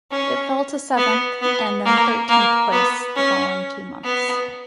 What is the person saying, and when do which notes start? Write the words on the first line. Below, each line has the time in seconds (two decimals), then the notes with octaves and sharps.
It fell to seventh and then thirteenth place the following two months.
0.11 C#4
0.97 B3
1.41 B3
1.85 A#3
2.29 A#3
2.72 B3
3.16 C#4
4.03 B3